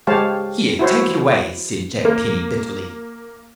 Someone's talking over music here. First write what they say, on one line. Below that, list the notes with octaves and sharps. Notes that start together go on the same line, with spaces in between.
"Here, take it away!" said Jack Penny bitterly.
G#3 G4 C5 C#5 F5 A5
E4 F#4 C5 C#5
A#3